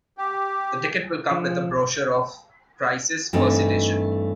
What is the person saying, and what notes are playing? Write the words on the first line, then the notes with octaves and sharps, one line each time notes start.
The ticket will come with a brochure of prices per citation.
G4
F3
G2 E3 A3 C4 D4 D#4